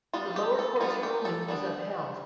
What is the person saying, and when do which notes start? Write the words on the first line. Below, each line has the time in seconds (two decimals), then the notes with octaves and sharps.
The lower court's ruling was upheld.
0.13 G3 B3 D4 F4
0.36 G4
0.59 A4
0.80 G3 B3 D4 F4
1.03 G4
1.25 A4
1.48 G3 B3 D4